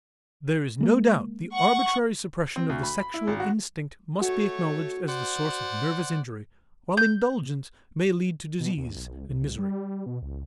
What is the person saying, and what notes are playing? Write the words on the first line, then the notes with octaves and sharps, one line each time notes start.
There is no doubt the arbitrary suppression of the sexual instinct must be acknowledged as the source of nervous injury while indulgence may lead to disease and misery.
G#3 A#3
F#5 C#6
C4
D2
B5
B5
E4
G#1
F#4
A3 F#4 C#5
C5 D5 F#5
G6
B2
D#2
B1
C#2
C2
G3
B2
C#2